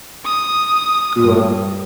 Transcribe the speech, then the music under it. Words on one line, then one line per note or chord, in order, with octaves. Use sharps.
grew up
D#6
G2